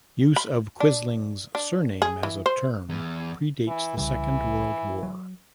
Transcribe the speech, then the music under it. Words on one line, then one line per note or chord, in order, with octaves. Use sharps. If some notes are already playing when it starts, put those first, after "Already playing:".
Use of Quisling's surname as a term predates the Second World War.
B5
D4
D4
G#4
E3
C5
E2
E3
C2 C#3 E3 G3
F#3